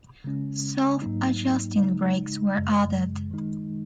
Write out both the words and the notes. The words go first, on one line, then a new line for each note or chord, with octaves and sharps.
Self-adjusting brakes were added.
C#3 G#3 C#4
G#2 F#3 A#3 D#4
C#3 G#3 D#4
F#2 C#3 G#3
D#3 G#3 D#4